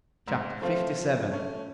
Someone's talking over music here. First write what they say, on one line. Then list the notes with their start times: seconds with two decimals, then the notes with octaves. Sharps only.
Chapter LVII.
0.27 G#2
0.62 F3 A3 C4 F4
0.97 F3
1.31 A3 C#4